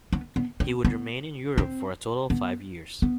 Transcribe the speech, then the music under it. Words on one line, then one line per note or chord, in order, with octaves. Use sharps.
He would remain in Europe for a total of five years.
B3
B3
C4
B3
C4
B3
B3